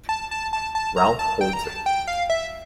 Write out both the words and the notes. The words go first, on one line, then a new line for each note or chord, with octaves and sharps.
Ralph holds it.
A5
A5
A5
A5
A#5
A5
G5
A#5
A5
G5
F5
E5